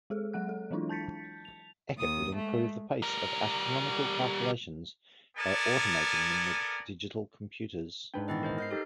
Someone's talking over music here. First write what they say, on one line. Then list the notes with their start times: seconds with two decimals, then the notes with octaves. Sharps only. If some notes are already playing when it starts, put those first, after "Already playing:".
Eckert would improve the pace of astronomical calculations by automating them with digital computers.
0.10 G#3 G#4 A4
0.33 F#3 G#3 F#5 F#6
0.49 A4
0.71 E3 F#3 G#3 D4 E4 F4
0.89 A5 G6 A6 B6 C#7
1.45 F7
1.98 D#2 D#6
2.36 G#3 A3
3.02 G3 A#4
5.37 B3 A4 A#4 D5 G#5
8.14 G#2 D4 B4 G5
8.28 A#2 D#3 E3 B3 E4 D#5
8.43 A#4 C5 D#5
8.58 D#5 F6 G6 C7
8.71 D#4 G4 A4